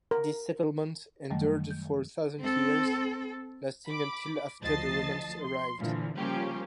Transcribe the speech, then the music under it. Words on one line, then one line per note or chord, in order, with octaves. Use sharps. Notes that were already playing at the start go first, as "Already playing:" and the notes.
This settlement endured for a thousand years, lasting until after the Romans arrived.
A#4
F#2 D#3 F#3 G3 A3
G6
C4 A4
B5 D6
D2 F3 D#5 A5 A6 C7
C6
A#2 D3 E3 F3
C#3 F3 G3 A#3 C#4 G4